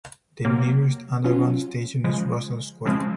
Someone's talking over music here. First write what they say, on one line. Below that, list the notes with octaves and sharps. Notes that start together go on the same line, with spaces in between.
The nearest Underground station is Russell Square.
C3 F#3 A#3
F#3 C#4 F4
C#3 F3 G#3
C#3 F3 G#3 C4